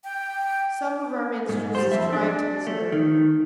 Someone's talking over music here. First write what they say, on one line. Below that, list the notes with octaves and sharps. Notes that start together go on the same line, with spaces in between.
Some of our ministers has tried to visit her.
G5
G#2
G3 C5
F2 E5
D4
A3
D#3